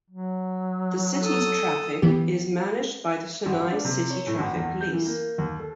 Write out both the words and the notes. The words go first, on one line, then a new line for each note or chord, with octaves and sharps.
The city's traffic is managed by the Chennai City Traffic Police.
F#3
A4 D#6
E3 B3 G4
G#1
D4
C3
C#5
A2
G#1
E2
G6
E3
A#3
D#2
A4